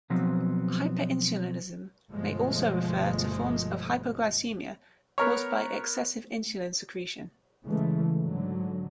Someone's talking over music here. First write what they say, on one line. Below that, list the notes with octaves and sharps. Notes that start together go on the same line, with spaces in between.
Hyperinsulinism may also refer to forms of hypoglycemia caused by excessive insulin secretion.
B2 F3 F#3 B3 C4
G1 B2 F3 G#3 A3
B3 A#4 C#5
C#3 E3 G#3 A3
G#2 D3 F#3